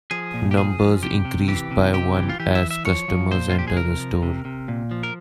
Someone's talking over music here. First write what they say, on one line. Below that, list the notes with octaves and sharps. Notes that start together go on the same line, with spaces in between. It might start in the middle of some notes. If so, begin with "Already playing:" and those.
Numbers increase by one as customers enter the store.
F3 G#4
A#2
G4
F3 G#4
F3
C3 G4
C3
E3 G4
C3
C3 G4
E3
F4
E3 G4
E5
E3
E5
F3 C#5
F3
A#2 C5
F4
F3 G4
G#4
C3 A#4
F3
C3
C3
A#2
F3
A#4